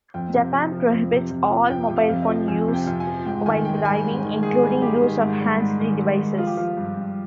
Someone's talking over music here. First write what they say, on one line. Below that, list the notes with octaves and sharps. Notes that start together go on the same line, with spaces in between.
Japan prohibits all mobile phone use while driving, including use of hands-free devices.
F2 G5
C3
F2
F3
F2
C3
F2
F3
F2 G5
C3
F5
F2
D#5
F3
F2 G#5
C3
G5
F2
G#5
F3
G#2 G5
D#3 G#5
G#2 G5
G3 G#5
G#2
D#3
G#2 G#4
G3
G#2 G4
D#3
G#2
G3
G#2
D#3
G#2
G3
F3 F4
G4
F3 F4
G2
G2